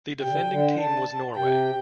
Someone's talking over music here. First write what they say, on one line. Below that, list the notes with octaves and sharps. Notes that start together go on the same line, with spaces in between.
The defending team was Norway.
C3 G5
D3
C3
D3
A5
C3 G5